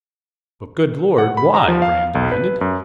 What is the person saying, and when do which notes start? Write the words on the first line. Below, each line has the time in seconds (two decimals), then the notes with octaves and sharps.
"But good Lord, why?" Rand demanded.
1.18 F#5
1.37 B5
1.54 A#5
1.68 F3
1.82 F5
2.15 B1
2.32 B4
2.61 F#2